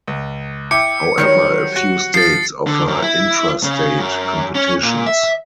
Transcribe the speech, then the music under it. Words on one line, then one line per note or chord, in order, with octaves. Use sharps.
However, a few states offer intrastate competitions.
C#2
E4 G5 D6 C#7
D#3 F#3 G3 C#5
F#4
F3 A6 C7
D3
F#2
E4
C#3
F#2
C#4
A#2
E5